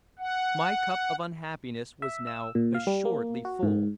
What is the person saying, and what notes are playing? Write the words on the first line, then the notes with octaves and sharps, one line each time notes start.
My cup of unhappiness was now assuredly full.
F#5
E5
E6
A#2
F5
G3
A#3
F#4
G#2